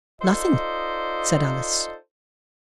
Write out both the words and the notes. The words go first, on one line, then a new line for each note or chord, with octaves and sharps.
'Nothing,' said Alice.
D#4 F4 A4 C5 D5 D#5